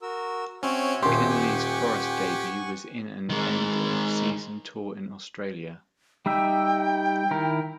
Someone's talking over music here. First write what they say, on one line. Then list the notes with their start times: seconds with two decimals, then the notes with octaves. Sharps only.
McInally's Forest debut was in and end of season tour in Australia.
0.02 F#4 A#4 E6
0.63 C4 C#4 F#4 C#5 E5
1.03 D#1 G4 C6
1.29 F#5 G#5 C#6
3.30 D#3 G#3
6.26 G3 D#4 E5 G5
7.31 D#3 E4 A#4